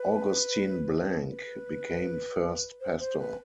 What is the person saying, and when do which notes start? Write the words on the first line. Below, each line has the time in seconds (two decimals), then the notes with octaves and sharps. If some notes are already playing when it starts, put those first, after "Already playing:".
Augustin Blanc became first pastor.
Already playing: B4
1.28 B4
2.81 C5
2.99 C5
3.18 B4